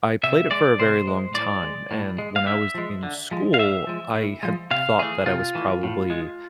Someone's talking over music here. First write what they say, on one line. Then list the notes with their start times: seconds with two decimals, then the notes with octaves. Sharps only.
I played it for a very long time, and when I was in school, I had thought that I was probably,
0.23 C3 E5
0.51 G#3 D5
0.79 C3 C5
1.07 G#3
1.34 A2 D5
1.63 G#3
1.91 A2
2.18 G#3
2.36 F5
2.46 D3 E5
2.74 F3 G#3
3.03 D3
3.31 F3 G#3
3.54 F5
3.58 A2 E5
3.87 F3 G#3
4.14 A2
4.43 F3 G#3
4.71 C3 F5
4.99 E3 A3 G#4
5.26 C3 F4
5.55 E3 A3
5.83 A2
6.10 G#3